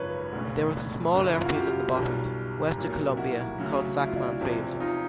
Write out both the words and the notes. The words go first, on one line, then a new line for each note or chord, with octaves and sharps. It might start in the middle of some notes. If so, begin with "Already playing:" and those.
There is a small airfield in the Bottoms west of Columbia called Sackman Field.
Already playing: G#1 F#2 C#3 F3 B4 C#5
E1 D2 C#3
G1 F#2 C#3
E4
F4
F#4
F4 G4
B1 B2 G3
B1 A#2 F#3
E4 F#4
D2 C#3 F#3
E4
F4
D4 E4
E2 C3 F3
D#4 F4